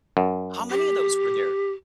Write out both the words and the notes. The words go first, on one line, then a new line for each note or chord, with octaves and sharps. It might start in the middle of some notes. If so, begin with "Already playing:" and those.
How many of those were there?
F#2
G4